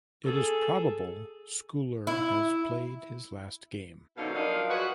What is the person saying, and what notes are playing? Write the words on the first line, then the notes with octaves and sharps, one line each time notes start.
It is probable Scoular has played his last game.
G#4 A4
E4
F#2 B2 D3 C#4 D#4 F5
F3 F#3 D4 D#4 A#4 F5
F#4 G#4 B4